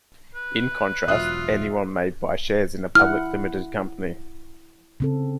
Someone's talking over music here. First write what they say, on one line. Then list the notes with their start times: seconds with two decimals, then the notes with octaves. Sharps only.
In contrast, anyone may buy shares in a public limited company.
0.35 B4
1.08 E1 F#3 F4 E5 D#6 F#6
2.95 E4 F#5 F6
5.00 C#3 C4 A4